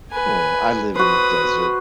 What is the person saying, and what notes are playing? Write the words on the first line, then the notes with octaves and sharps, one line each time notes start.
Cool, I live in the desert.
B4 G#5
F#4 B4 C5 D#6